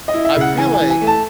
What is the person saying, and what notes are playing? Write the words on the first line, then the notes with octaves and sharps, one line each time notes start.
I feel like
D#5
E4
E5
C#3 F#5
E3 G#5
G#5
E3
G#5
A3
A5